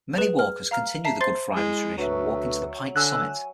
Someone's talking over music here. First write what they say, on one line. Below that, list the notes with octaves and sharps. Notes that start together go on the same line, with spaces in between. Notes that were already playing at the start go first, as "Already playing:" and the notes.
Many walkers continue the Good Friday tradition of walking to the pike summit.
G#4 B4 E7
F6
F5 A#5 F6
E5 A5 A#5 C7
C5 C6 A6 C7
G#3 E4
D2 F#3 B4 C#5 E5
D3 G#5 E6 F#6